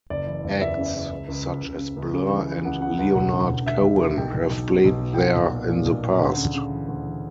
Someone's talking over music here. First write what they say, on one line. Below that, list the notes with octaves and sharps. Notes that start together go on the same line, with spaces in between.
Acts such as Blur and Leonard Cohen have played there in the past.
F#1 D5
E3
F#1
D5
E2 E5
C#3
C#3
C#2
C#2
C#2
C#2
C#3
C#2
C#3
E3
E3
C#2 F#5
C#3 F#5
C#2 F#5
E1 F#5
D3
E1
D3 E5
E1
D3
B1 G5
B1
B1
B2
B1
B2
G5
B1 F#5
B1
A#2
A#2
B1
A#2
D2
C#3
C#3
E3
D2
E3